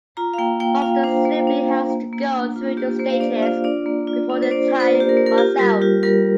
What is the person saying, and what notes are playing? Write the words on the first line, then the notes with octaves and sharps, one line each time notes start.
Buster simply has to go through the stages before the time runs out.
F4 A#5
F5
A#3 G5
A#3 G5
F4 F5
D4 C5
A#3
D4
A#3
A#3
A#3
D4
F4
A#3 G4
A#3 C5
F5
D4 D5
F4 F5
D4 D5
A#3
F4
D4
C5
D4 D5
F4
C5
A#3
G4
A#4
A#3
A#4
F4 G4
G3 A#4
F4 G4
G3 A#4